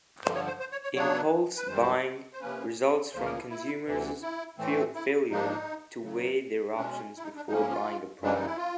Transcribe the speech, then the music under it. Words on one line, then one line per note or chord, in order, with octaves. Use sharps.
Impulse buying results from consumers' failure to weigh their options before buying a product.
G2 D3 F3 C5
C#5
C5
C5
C#5
C#5
C#3 F#3 B3 D4 C#5
B4
F#2 D#3 G3 C5
C5
C3 F3 A#3 C#4 B4
D2 C#3 F3 A#3 C5
A#4
E4
E4
D2 C3 E3
E4
A2 E3 A3 C4
E4
G#2 F3 A#3 D4 D#4
F#2 C#3 F#3
B2 G#3 C#4 D4
E4
D#4
D4
G#2 F3 A#3 C#4 D#4
E4
F4
F#2 C#3 E3 G3 D4
D#4
E4
F4